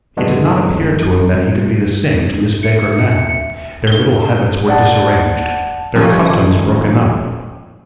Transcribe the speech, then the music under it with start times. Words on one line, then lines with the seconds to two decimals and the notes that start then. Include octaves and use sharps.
It did not appear to him that he could be the same to Miss Baker now; their little habits were disarranged, their customs broken up.
0.17 F#2 D#3 G#3 A3 B3 D4
1.35 G3
2.63 E5 C#7
3.87 G7
4.68 D5 F#5 A5
5.95 D#3 F3 G3 A3 C#4